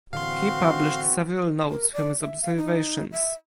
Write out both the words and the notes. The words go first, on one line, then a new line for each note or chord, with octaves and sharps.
He published several notes from his observations.
A2 D3 E3 C4 F#4 F5 C6
A#4
D5
E5
F5
D#4
E5